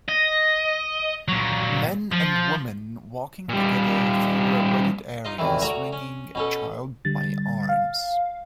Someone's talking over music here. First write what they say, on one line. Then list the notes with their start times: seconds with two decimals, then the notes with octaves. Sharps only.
A man and woman walking together through a wooded area swinging a child by arms.
0.09 D#5
1.28 A#2 F#3
2.12 F3
3.49 A#2 G3
5.25 D#4 F4 D#5
5.39 E2 C3 D#3 E3
5.62 D2 F#4 C#5 A#5
5.93 C#4
6.35 B2 C#4 A4
7.05 D3 G3 A6
7.69 F5